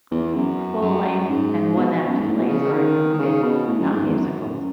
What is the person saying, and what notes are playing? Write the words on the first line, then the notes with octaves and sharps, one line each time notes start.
Full length and one act plays are included but not musicals.
E2
F#2
F#2
G#2
B2
F#2
G#2
A2
B2
C#3
D#3
D#3
C#3
B2
A2
F#2
G#2
E2
F#2